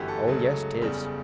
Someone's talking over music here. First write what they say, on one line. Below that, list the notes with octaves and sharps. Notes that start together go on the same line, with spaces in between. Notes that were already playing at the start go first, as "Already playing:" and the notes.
Oh yes, 'tis.
Already playing: G1 F#2 E3 A3 F#4 G4
A4
C#2 C#3 F#3 A3
F#1 E2 C#3 G3